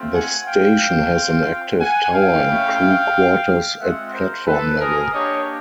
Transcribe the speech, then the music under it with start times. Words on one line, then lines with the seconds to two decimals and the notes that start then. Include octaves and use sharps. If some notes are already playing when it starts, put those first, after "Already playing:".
The station has an active tower and crew quarters at platform level.
Already playing: A3 C4 F4
0.13 F#5 G#5
0.46 F5 G5
1.14 C4 F4
1.80 F#5 G#5
2.13 F5 G5
2.46 A3 C#4 E4
3.79 G#3 C4 F4 E5 F#5
4.13 A#4 C5
4.47 A4 B4
4.80 G#4 A#4
5.13 A#3 D4 G4 C#5 D#5